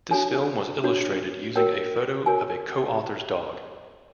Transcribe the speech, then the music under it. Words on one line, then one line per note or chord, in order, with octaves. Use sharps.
This film was illustrated using a photo of a co-author's dog.
D4 F#4 A4 C#5 G#5
D4 F#4 A4 C#5
F#4 A#4 C#5 G5
F#4 A#4 C#5 G#5